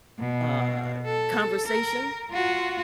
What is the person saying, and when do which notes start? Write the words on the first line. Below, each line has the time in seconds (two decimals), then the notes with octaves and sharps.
uh, conversation,
0.19 B2
1.05 A4
1.66 A#4
2.31 F4 F#4